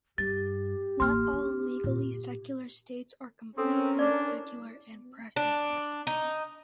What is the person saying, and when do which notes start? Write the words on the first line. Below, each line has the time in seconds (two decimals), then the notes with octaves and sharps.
Not all legally secular states are completely secular in practice.
0.18 G2 G4 A6
1.00 A1 A#3 C6 F6
1.33 D4
1.84 A#2
3.58 C4 C#4 A4 A#4
3.99 D4 D5
5.36 D4
6.07 D#4